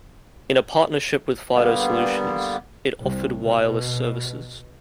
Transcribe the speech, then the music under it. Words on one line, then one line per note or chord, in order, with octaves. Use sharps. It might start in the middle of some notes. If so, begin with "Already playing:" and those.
In a partnership with Fido Solutions, it offered wireless services.
D3 G3 A#3 B3
C2
B2